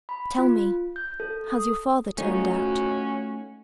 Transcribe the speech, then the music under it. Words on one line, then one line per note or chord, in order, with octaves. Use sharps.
Tell me, has your father turned out?'
B5
F4
G6
A4
D#6
A3 C#4 D#4 F4 F#4